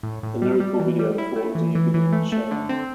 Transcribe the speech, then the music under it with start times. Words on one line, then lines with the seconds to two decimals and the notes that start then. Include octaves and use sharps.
The lyrical video for Do You Believe In Shame?
0.03 A2
0.23 A2
0.42 G3
0.60 G3
0.79 E3
0.99 G3
1.18 E4
1.36 A3
1.55 E3
1.75 E3
1.94 E3
2.13 A3
2.32 A3
2.51 D3
2.69 C4